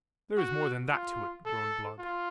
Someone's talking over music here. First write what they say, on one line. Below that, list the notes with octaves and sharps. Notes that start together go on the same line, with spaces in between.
"There is more than that to it," groaned Blood.
F#4
F4
A4
F4